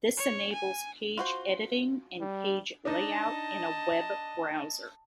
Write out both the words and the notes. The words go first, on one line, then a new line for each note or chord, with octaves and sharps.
This enables page editing and page layout in a web browser.
C#5
G#5
F4 F#4 C5
G3
D4 D#4 D#5 A5